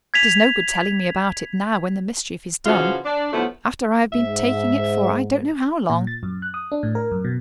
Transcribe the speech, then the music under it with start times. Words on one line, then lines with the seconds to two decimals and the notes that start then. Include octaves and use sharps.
It is no good telling me about it now, when the mischief is done,--after I have been taking it for I don't know how long.
0.14 G#6 B6 F7
2.66 C#3 E3 F3 F4 F#4 F5
3.05 D4
3.33 D3 F3 F#3 A3 B3 E4
4.12 G#2 E5
5.90 A#2
6.07 A6
6.23 F#2
6.42 F#6
6.54 D#6
6.72 D4
6.83 A2
6.95 A#4
7.12 F#2
7.25 B2